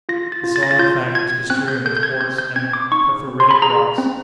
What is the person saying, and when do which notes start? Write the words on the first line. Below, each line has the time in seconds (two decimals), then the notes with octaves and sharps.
The soil, in fact, was bestrewn with quartz and porphyritic rocks.
0.09 F4 A#6
0.32 A6
0.44 F4
0.56 A6
0.63 A#6
0.71 A6
0.79 F4 G6
1.14 F4 G#6
1.50 C4 F#6
1.68 G6
1.85 A4 G6
1.97 G6
2.03 G#6
2.21 C4 G6
2.38 G6
2.56 C4 G#6
2.73 D6
2.92 D#4 C#6
3.27 C4
3.40 C6
3.51 B5
3.62 G#4 A#5
3.98 C4